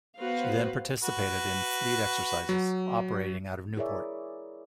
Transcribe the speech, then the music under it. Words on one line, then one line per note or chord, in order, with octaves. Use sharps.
She then participated in fleet exercises, operating out of Newport.
B3 F#4 B4 C5 F5
F#4 B4
F#3
E4 G#4 A#4 C#5 D5 E5